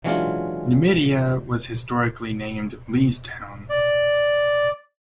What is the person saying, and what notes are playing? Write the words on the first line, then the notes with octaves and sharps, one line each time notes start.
Numidia was historically named "Leestown".
E3 F#3 G#3 C#4 D4 F4
D5